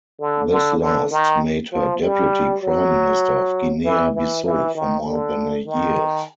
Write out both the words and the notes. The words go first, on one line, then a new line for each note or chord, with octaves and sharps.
This last made her Deputy Prime Minister of Guinea-Bissau for more than a year.
D3
D3
D3
D#3
F3
G3
F#3
E3
E3
E3
D#3
D3
D#3